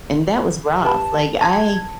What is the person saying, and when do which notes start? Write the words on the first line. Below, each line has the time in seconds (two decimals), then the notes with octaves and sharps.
and that was rough, like, I
0.82 G4 B4 A5 B5
1.41 A5 G#6